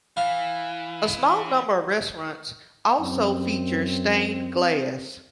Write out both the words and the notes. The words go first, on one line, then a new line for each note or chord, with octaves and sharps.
A small number of restaurants also feature stained glass.
E3 F5
F#2 C4